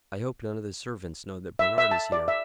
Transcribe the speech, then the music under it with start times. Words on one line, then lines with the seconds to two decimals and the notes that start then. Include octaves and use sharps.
"I hope none of the servants know that Bernard is here?"
1.59 E5
1.78 E5
1.91 A5
2.12 D5
2.28 E5